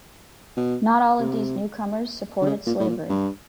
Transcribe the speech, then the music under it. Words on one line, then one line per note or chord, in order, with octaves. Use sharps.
Not all of these newcomers supported slavery.
B2
C3
D3
C#3
A#2
A2
A#2
G2